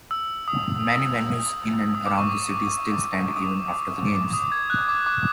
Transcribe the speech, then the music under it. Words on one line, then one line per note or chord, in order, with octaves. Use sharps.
Many venues in and around the city still stand even after the games.
E6
D#6
D#6
D6
C#6
D6
D#6
D6
D6
D#6
G#6
F#6
D6
D6